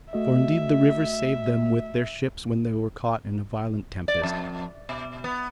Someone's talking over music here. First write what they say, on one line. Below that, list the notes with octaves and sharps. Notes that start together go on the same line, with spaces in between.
For indeed the river saved them with their ships when they were caught in a violent tempest.
A3 F#4 D#5 E5
D5
F2
B2
B3